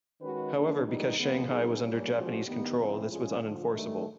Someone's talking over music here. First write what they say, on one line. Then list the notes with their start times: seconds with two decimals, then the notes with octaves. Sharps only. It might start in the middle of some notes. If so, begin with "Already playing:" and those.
However, because Shanghai was under Japanese control, this was unenforceable.
0.21 D#3 G#3 C#4 F#4 B4
0.54 C#3 F3 A#3 D4
0.86 G#2 D#3 G3 B3 D#4
1.18 D2 C#3 F3 G#3 B3
1.49 C#3 F#3 B3 D#4 G#4
1.81 A#2 G3 A#3 C#4
2.13 A#2 F3 G#3 C#4 F#4
2.45 G2 D#3 G3 B3
2.77 C#3 F3 G#3 C4 E4
3.09 F3 G#3 C#4 F4 G#4
3.41 D2 D3 F3
3.73 G2 D#3 F#3 A3